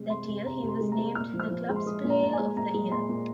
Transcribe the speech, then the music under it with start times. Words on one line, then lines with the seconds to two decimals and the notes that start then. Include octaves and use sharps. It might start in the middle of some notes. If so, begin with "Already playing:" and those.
That year he was named the club's player of the year.
Already playing: C3 G#3
0.10 C3 C6
0.28 C3
0.46 C3 A#5
0.63 C3
0.68 C6
0.81 G#3
0.92 A#5
0.98 G#3
1.15 A#2 F6
1.34 F3
1.40 F6
1.51 F3
1.69 G#3
1.76 C6
1.86 G#3 D#6
2.04 A#2
2.10 A#5
2.21 A#2 A#5
2.33 G#5
2.39 G#3
2.57 A#2 A#5
2.74 G#3
2.92 A#2 C6
3.09 A#2